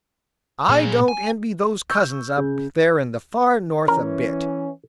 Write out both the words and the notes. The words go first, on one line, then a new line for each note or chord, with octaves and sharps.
I don't envy those cousins up there in the Far North a bit.
A#2 G#4
G#5
C#6 E6 G6
C#3
E3 C#4 A#4